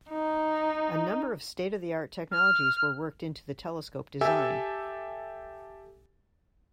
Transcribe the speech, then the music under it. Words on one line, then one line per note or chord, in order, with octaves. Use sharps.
A number of state-of-the-art technologies were worked into the telescope design.
D#4
F6
G4 A4 E5 G#5 E6